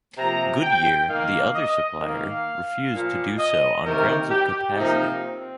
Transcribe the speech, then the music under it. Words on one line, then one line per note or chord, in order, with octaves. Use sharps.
Goodyear, the other supplier, refused to do so on grounds of capacity.
C3 F3 A#3 A#5
G5
D#3 A#3 F5
D#5
D#3 A#3 F5
A#2 F3 A#3
D#5
C3 D#3 A#3 A#4
G4
C3 F3 A#3 D#4
C4